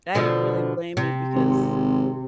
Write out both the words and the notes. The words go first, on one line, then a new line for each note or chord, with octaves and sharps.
I don't really blame you because,
B2 D3 F3
C3
G#1